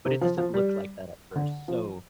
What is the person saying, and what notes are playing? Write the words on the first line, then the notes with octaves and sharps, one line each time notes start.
but it doesn't look like that at first, so
C3
F3
F3
G3
D3
F3